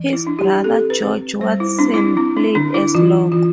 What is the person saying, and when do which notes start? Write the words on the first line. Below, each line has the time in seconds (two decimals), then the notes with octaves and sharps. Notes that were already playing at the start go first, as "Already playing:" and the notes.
His brother George Watson played as Lock.
Already playing: E3
0.13 E4
0.27 D4
0.39 G4
0.64 C4 A4
0.90 B4
1.02 C4
1.41 G3 C5
1.60 E4
1.79 C4 D4
1.94 E4
1.98 D4
2.17 C4 E4
2.36 D4
2.55 D3 D4
2.74 E4
2.95 E3 F4
3.32 E3 F4